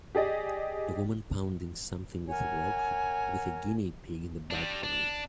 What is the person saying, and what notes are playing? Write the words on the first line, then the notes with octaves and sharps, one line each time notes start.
A woman pounding something with a rock, with a guinea pig in the background.
G4 G#4 D5 D#5
A#4 C#5 F#5 G#5
G3 D4
D4